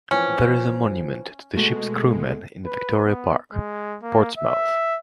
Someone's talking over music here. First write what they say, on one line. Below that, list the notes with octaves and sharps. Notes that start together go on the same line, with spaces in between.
There is a monument to the ship's crew men in Victoria Park, Portsmouth.
E3 F3 C4 C#4
B2 G#3 A3 F#4
B4
B3
G#3
A#3
E5